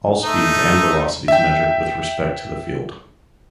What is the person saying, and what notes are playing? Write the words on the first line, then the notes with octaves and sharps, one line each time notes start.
All speeds and velocities measured with respect to the field.
A3 D#4
E5 G5